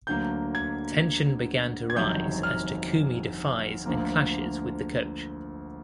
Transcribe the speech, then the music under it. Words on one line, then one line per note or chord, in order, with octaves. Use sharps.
Tension began to rise as Takumi defies and clashes with the coach.
D2 D3 F#3 A#3 G6
G#6
G#6
G1 F2 C3 D#3 F#3 G6
F6
D2 D3 F3 A#3